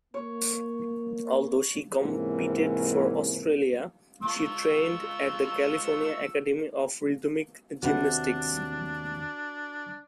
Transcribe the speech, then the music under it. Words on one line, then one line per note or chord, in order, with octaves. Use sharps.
Although she competed for Australia, she trained at the California Academy of Rhythmic Gymnastics.
A#3 C#5
G#2 C3 E3 A#3 C#4
F4 C#6 E6
D#2 C3 D4 F#4 B4 F#5